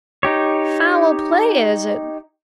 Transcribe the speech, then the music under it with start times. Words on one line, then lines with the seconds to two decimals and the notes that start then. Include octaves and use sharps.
Foul play, is it?
0.23 D#4 G4 C#5